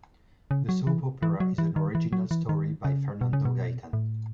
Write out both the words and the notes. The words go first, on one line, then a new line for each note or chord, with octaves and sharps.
The soap opera is an original story by Fernando Gaitan.
C#3
F#3
E3
E3
F#3
E3
D#3
E3
F#3
E3
D#3
C#3
B2
C#3
B2
A2